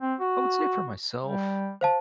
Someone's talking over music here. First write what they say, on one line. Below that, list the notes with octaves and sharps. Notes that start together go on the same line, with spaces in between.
I would say for myself,
C4
F#4
G3
C5 F5 A5